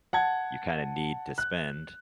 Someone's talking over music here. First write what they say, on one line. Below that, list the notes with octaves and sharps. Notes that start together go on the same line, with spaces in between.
you kinda need to spend.
F#5 A5 G#6
F#6